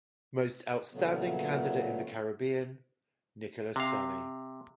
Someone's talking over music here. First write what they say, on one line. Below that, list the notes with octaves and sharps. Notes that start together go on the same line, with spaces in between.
Most Outstanding Candidate in the Caribbean- Nicholas Sammy.
A#2 C#3 F#3 A3 B3
C3 F5